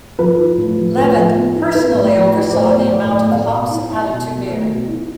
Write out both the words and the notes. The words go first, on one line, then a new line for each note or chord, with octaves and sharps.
Levett personally oversaw the amount of hops added to beer.
F3 B4
E4
A2
F3
A2 B4
F3
B3
E4
E4 B4
A2
F3
E4
D5
A2 C5
B3
A2 D5
A2
A3 F5
B2
E4
E4
B2
B2
A3
B2
E4